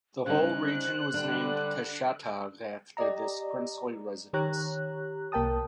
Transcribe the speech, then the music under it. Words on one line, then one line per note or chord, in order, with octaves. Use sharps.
The whole region was named Kashatagh after this princely residence.
C#3 G3 D#4 C5 F#6
D3 G3 D4
G4 D5 D#5 A#5
D#3 G4 C#5 A#5 F#6
C2 A#3 A#4 G5 A5 D#6